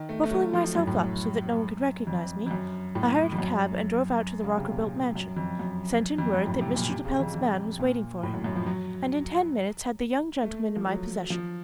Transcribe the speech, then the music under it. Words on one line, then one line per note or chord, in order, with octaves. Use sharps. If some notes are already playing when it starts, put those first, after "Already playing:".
Muffling myself up so that no one could recognize me, I hired a cab and drove out to the Rockerbilt mansion, sent in word that Mr. de Pelt's man was waiting for him, and in ten minutes had the young gentleman in my possession.
Already playing: D#3
A3
A3
F#3
F3
F#2
A2
F#2
F2
F2
F#2
A2
F2
F#2
C#3
C3
A#2
F#2
F2
F#2
F2
F#2
A2
C3
A#2
C3
C#3
F2
F2
A#2
A2
F#2
F#2
F3
F#3
A3
F3
F#3
F3